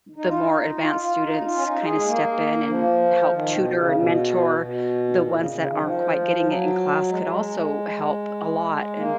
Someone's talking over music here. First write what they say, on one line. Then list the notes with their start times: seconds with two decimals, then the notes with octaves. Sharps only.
the more advanced students kinda step in and help tutor and mentor the ones that aren't quite getting it in class could also help a lot, and
0.16 D#4
0.28 F4
0.40 D#4
0.79 F4
1.01 F4
1.21 D#4
1.41 F4
1.55 C#4
1.63 D#4
1.84 G#4
1.95 G#3
2.05 A#3
2.67 F3
3.31 D#3
3.52 B2
3.73 C#3
3.93 B2
4.57 B2
5.10 G#2
5.19 A#2
5.35 C#3
5.51 C#3
5.67 D#3
5.78 F#3
5.82 F3
6.44 F#3
7.08 G#3
7.19 F#3
7.29 G#3
8.97 A#3